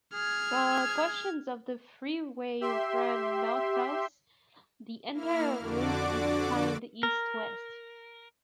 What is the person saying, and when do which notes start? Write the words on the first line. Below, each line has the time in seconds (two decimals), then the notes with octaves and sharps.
Though portions of the freeway run north-south, the entire route is signed east-west.
0.14 G#4 F6 G#6
2.61 G4 E5 C6
5.13 A#3 E4 F6
5.58 F2 D3 D4 F#4 D5 D6
7.03 A#4